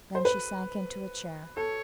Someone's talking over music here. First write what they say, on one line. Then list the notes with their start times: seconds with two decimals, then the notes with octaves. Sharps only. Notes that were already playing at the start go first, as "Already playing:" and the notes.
Then she sank into a chair.
0.15 C5
0.25 B4
1.57 A4 C#5